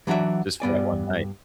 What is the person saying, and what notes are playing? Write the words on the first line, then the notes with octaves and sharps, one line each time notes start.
just for that one night.
E3 F#3 D4 F#4 E5
G2 B3 D5 G#5